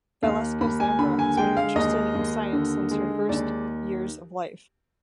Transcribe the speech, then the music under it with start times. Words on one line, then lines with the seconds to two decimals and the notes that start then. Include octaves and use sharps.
Valeska Zambra has been interested in science since her her first years of life.
0.23 D#2 F5
0.61 D#2 B5
0.80 G#5
0.99 D3 B5
1.19 G#5
1.37 G#3 G5
1.57 F5
1.76 D#2 D#5
2.15 D#2
2.53 D3
2.91 G#3
3.29 D#2 D5